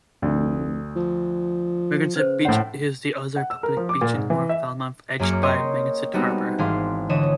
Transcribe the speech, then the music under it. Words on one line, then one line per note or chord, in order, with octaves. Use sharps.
Megansett Beach is the other public beach in North Falmouth, edged by Megansett Harbor.
F1 D2
F3
C#3 B4 C5
A2 C5 F#5
F#5
E6
A#4
F3
D6
A#2
G#2
E3
E5
F#2 A#3 G#4 D6 F6 C#7
A#4 C#5 D#5 G5 C6
G3 G#3 B3 C4 D#4 F#4
G#1 E3 G#4 F5 C6
D3 E3 C#5 D#5 D#6 E7